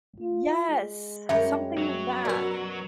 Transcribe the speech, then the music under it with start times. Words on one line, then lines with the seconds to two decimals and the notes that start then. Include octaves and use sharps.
Yes, something like that.
0.20 F4
0.69 G#3
1.29 F#2 G3 C#5 E5
1.78 F#3
2.25 B2 F#4 A#4 B4 D5